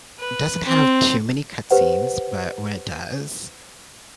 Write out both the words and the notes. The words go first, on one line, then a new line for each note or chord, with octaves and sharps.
doesn't have too many cut scenes, but when it does,
B4
C4
G4 B4 C5 F#5